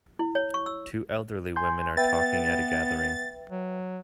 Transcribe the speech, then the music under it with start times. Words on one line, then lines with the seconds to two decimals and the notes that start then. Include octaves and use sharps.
Two elderly woman are talking at a gathering.
0.19 E4
0.35 C#5
0.54 C#6
0.66 E6
1.56 G#5 C6 G6
1.97 B3 B4 E5 G5 A6
3.50 F#3